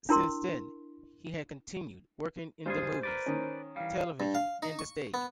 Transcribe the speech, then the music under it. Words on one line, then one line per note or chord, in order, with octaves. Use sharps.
Since then, he has continued working in the movies, television and the stage.
D4 E4 A#4 C6
G2 G#3 F4 G#4 C5
A#4 B4 D5
D#3 C#4
E3 G3 F5
G2
F5
D#4
C#6
B3